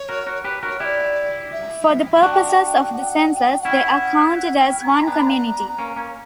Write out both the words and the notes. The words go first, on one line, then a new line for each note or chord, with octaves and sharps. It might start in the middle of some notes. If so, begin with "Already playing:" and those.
For the purposes of the census, they are counted as one community.
Already playing: C#5
F#4 A#4
F#4 A#4
G4 B4
F#4 A#4
C#5
E4 G4 D5 E5
E5
D4 F#4 F#5
G5
F#5
G5
F#5
G5
F#5
G5
F#5
G5
F#5
G5
F#5
G5
F#5
G5
F#5
C#4 E4
G5
F#5
F#5
G5
A#5
B3 D4
A#3 C#4
A#3 C#4